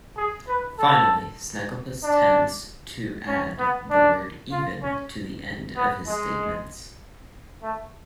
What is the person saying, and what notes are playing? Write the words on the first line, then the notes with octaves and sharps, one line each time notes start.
Finally, Snagglepuss tends to add the word "even" to the end of his statements.
G#4
B4
A4
D4
C#4
B3
D4
F4
C#4
B3
G#3
A3